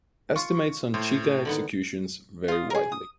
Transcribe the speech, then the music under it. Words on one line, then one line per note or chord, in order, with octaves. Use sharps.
Estimates on Cheka executions vary widely.
F4 C#6
A2 C5
D3 D#3 B3
F4 D#6
G#4 A#4
D#6